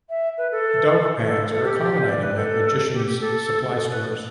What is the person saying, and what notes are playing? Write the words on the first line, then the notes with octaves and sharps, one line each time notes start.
Dove pans are a common item at magicians' supply stores.
E5
B4
A4
A4
A4
G4
G4
D5
B4
A4
G4
G4
A4
A4
B4